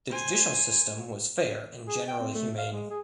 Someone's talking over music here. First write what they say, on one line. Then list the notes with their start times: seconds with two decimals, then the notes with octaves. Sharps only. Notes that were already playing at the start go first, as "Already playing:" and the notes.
The judicial system was fair and generally humane.
0.10 C5 G#5
1.87 G#4
2.08 G5
2.20 C4
2.35 A3
2.58 F5
2.72 G#3
2.90 G#4